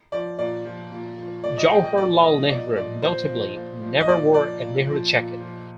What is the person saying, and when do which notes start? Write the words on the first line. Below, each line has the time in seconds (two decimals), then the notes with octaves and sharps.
Jawaharlal Nehru, notably, never wore a Nehru jacket.
0.12 F3 D5
0.39 A#2 D5
0.65 F3
0.92 A#2
1.18 F3
1.44 A#2 D5
1.58 D#5
1.71 F3 G5
1.84 D#5
1.96 A#2 D5
2.24 F3 D#5
2.49 A#2 D5
2.76 F3 D5
3.02 A#2 C5
3.29 F3
3.56 A#2
3.82 F3
4.01 D#5
4.09 A#2 D5
4.34 F3 D5
4.61 A#2
4.87 F3
5.14 A#2
5.41 F3